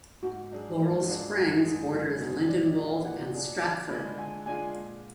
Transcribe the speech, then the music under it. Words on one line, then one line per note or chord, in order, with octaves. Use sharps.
Laurel Springs borders Lindenwold and Stratford.
G#2 F#4
F#3 D4 G#4
G#2 A#4
F#4
F#3 D4 F4 G#4
F#2 F#4
D3 G#3 D#4 G#4
F#2 G#4
D3 G#3 D#4 G#4
D#5
A#2 D5
D#5
F#3 D4 G#4
F5
A#2 F#5
F#3 D4 G#4 G#5
D3 D6
G#3 D4 F4 G#4 B5
D3 G#5
G#3 D4 F4 G#4 G#5
A#2